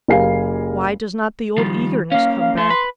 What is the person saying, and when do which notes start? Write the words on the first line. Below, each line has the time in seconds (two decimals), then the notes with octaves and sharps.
Why does not the old eagerness come back?
0.08 F#1 G4 A#4 F5 G#5 C7
1.58 D#3 F3 G3
2.12 A#3 C#4 F5
2.40 F5
2.58 A3 C6
2.70 B4